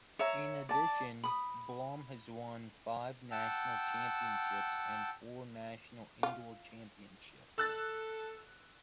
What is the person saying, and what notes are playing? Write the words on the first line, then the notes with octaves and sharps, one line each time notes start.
In addition, Blom has won five national championships and four national indoor championships.
C#5 E5 A#5
D5 A5
B5 D#6
F#5 G5 A5 E6
F4
A4 E6 F#6 A6